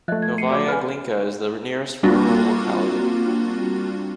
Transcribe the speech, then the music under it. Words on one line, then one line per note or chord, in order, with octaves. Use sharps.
Novaya Glinka is the nearest rural locality.
F3 A3 D#5 E5 F#6
G#6
C7 C#7 D#7
F#4 D5 D6
B4 G#5 F6
G3 A#3 C4 D4 F4 F#4